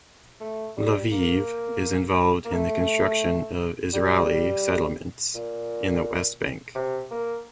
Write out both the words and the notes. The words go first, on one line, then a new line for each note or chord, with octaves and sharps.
Leviev is involved in the construction of Israeli settlements in the West Bank.
A3
G3
A#3
A#3
A3
G3
A#2
C3
A#3